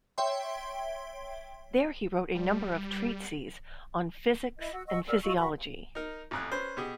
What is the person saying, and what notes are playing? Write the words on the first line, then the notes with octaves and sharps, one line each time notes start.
There he wrote a number of treatises on physics and physiology.
C#5 E5 G5 C6
G3
E4 D#5
F#4 E6
D#5 F#5 C#6 E6
A#4 D5 E6 F6
F4 D#5 C#6 E6
F#4 A#4 B5 C#6
D#4 A#4
A1 F2 F#6
C#4 B4 C5
B2 G4 G#4